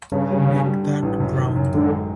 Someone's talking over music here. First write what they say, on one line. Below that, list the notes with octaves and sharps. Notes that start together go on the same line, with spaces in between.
Neck dark brown.
G2 C#3
G3
D3
G3
D3
A1
F#2
D#3
F#2
D3 G#3